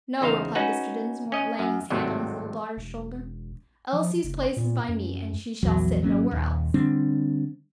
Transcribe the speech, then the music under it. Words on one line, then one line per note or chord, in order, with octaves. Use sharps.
"No," replied Mr. Dinsmore, laying his hand on his little daughter's shoulder, "Elsie's place is by me, and she shall sit nowhere else."
E2 C#3 D#4 C5 F5
C#4 D#4 F#4 B4 F#5
C#4 D#5
F#2
G#1 D#2 A2 C3 F#3 G3
E1
F3
F#1
A#2
F#2
A#1 E2 F#3
G#1 F#3 A#3 C#4
D#1 D#2
D3 G3 C4 D4